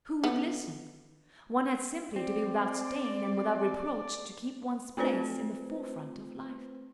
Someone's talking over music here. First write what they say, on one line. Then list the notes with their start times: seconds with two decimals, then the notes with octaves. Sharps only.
Who would listen? One had simply to be without stain and without reproach to keep one's place in the forefront of life.
0.24 D3 B3
2.16 C4 D5
4.97 A3 C4 F4 B4 C5